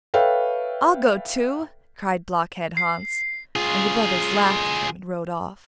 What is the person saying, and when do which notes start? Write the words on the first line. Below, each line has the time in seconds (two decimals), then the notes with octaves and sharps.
I'll go to!' cried Blockhead-Hans; and the brothers laughed at him and rode off.
0.14 A4 B4 C#5 E5 F5 G5
2.77 C7
3.56 F4 G#4